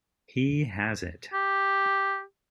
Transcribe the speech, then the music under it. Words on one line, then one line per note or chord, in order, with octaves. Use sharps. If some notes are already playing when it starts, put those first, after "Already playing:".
He has it.
G4